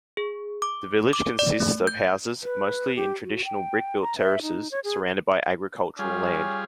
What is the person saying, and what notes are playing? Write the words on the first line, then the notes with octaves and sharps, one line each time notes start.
The village consists of houses, mostly in traditional brick-built terraces, surrounded by agricultural land.
G#4
D6
D6
D5
A3
G6
B4
G4
F#4
G5
A#5
E5
D#4
C#5
G#4
G3 C#4 F4 G#4